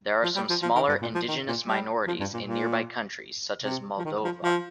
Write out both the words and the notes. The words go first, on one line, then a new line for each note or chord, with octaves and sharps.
There are some smaller indigenous minorities in nearby countries such as Moldova.
F3
G3
F3
F3
D#3
G2
A#2
F3
D#3
A#2
G3
F3
G2
A#2
A#2
C3
F3
D#3
F3
F3